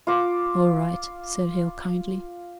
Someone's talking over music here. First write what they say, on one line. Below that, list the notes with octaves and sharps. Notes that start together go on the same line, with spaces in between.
"All right," said Hale kindly.
F4 D6